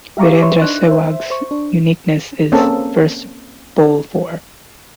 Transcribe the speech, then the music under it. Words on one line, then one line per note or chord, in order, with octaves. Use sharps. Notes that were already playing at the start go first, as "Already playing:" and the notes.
Virendra Sehwag's uniqueness is first bowl four.
G4 E5 F5 A#5 C#6 D6
B4 C#5 E5 C6 C#6
D4 D#4 F#6
C5 E5
C5 C#6
D4
A#3 C4 C#4 G#4 A4